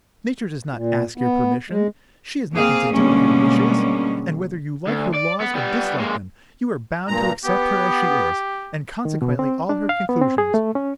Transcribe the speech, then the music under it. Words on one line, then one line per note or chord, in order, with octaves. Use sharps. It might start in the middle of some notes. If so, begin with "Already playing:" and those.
Nature does not ask your permission, she has nothing to do with your wishes, and whether you like her laws or dislike them, you are bound to accept her as she is, and consequently all her conclusions.
A#2
B3
G#3
A#3 C4 G#4 F5
B2 D3 G3 G#3 A#3 C#4
D2
D5
B3
G3 B3
G#3 A#3
G2 A#2 A#5
B3 G4
D#3
B2
C4
D4
F5
B3
C4
G#4
A3
C#4